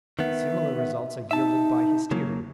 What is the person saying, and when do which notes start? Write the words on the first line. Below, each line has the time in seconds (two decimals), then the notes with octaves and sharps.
Similar results are yielded by hysteria.
0.19 D#3 B3 E5
1.31 D#4 E5 A5
2.11 C#3 F#3 A#3